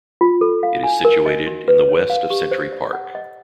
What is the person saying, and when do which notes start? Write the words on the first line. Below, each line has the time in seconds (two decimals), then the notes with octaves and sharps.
It is situated in the west of Century Park.
0.21 F4
0.41 A4
0.63 F5
0.84 G#5
1.05 A#4
1.26 D#5
1.47 F#4
1.68 B4
1.89 C#5
2.10 F5
2.30 G4
2.51 C5
2.73 D5
2.93 F#5
3.15 D#5